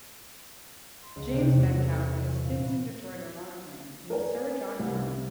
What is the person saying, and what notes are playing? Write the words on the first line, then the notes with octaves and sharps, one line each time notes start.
James Medcalf in a Stinson Detroiter monoplane named "Sir John Carling".
C6
C#2
C3
E2
F#4
A4
C#7
E5
C#6
A#2
B3
A#4 B4 C#5 D5 G#5
C2